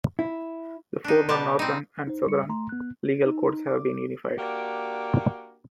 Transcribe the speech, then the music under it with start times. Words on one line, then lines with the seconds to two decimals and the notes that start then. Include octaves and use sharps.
The former northern and southern legal codes have been unified.
0.19 E4
1.04 D4 D#4
1.29 B2 G3 G4 A5
1.59 C4 D#4
2.07 D#4 C5
2.27 G3 C#7
2.49 A3 A#5 C6
2.69 B3 F#6
3.25 D#4
3.67 D6
4.38 A#3 D4 F#4 G4 A#4